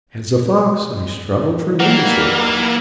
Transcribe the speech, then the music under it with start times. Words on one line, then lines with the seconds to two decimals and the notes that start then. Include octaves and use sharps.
As a fox, I struggled tremendously.
1.80 E3 F#3 G3 A#3 D#4 F#5